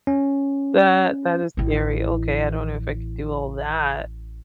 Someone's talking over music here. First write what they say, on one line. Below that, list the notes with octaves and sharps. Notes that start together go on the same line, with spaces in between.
That that is scary, okay, I don't know if I could do all that.
C#4
A1 E4